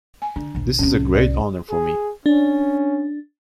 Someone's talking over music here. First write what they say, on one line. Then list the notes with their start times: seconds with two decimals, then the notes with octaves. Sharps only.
This is a great honour for me.
0.22 G#5
0.36 D3 D4
0.55 A#1 D#2
0.79 C2 A2 C#4
1.15 D5
1.70 G#4
2.26 C#4 D4